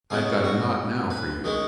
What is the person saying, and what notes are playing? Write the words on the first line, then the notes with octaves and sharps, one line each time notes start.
"I've got a knot now for you."
B2 G#3 C#4 G#4
F#4
B4
D#3 G#3 C#4